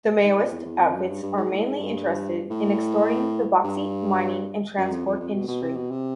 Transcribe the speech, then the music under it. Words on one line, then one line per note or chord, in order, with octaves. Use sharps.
The Maoist outfits are mainly interested in extorting the bauxite mining and transport industry.
G#2
A#2
E2
E2
F2
F#2
G2
G2
G#2
A2
G#2
G2
A2
G2
F#2
F2
F2
F2
B2
B2
C3
B2
C3